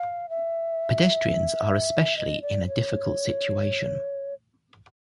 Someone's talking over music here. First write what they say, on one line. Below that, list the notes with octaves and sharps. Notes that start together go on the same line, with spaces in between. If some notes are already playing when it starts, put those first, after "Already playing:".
Pedestrians are especially in a difficult situation.
Already playing: F5
E5
D#5
D5
C#5